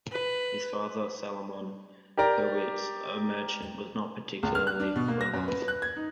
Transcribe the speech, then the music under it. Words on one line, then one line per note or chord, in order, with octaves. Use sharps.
His father Salomon Hurwitz, a merchant, was not particularly well off.
B4
G4 A#4 D5 A#5
C#2
F6
F#6
D4
B2
A#3
A#6
F#2
B4
F#6
G#6
D#4